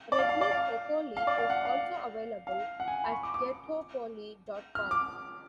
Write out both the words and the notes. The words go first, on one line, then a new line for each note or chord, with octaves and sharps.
Redneck Opoly is also available at ghettopoly dot com.
D5
F5
F5
D5
F5
F5
D5
F5
F#5
F5
F5
F#5
G#5
B5
C#6
D6
D6
F6
D6